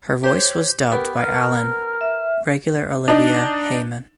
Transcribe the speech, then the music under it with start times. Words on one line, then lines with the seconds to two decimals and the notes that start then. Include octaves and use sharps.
Her voice was dubbed by Allen regular Olivia Hayman.
0.24 G4 C5 C#5
0.92 B3 G4 A#4
1.21 A#4 F6
2.01 E5
3.08 D4 D#4